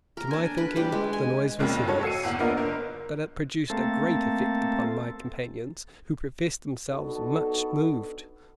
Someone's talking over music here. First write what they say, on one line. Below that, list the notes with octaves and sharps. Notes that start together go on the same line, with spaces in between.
To my thinking the noise was hideous, but it produced a great effect upon my companions, who professed themselves much moved.
A#4
D4 G#5
B4
G3 G4 B4
G#3
G#5
A#1 F2 C#3 G#3 A#3
F#4 A4 C#5
E6 G#6 C7 C#7 D#7
G1 E2 F#5
A#3 B3 D4 F4 A#4 D#5
F#1 A#4
A3 A#3 C4 A4
B3 D4 D#4 F#4 A4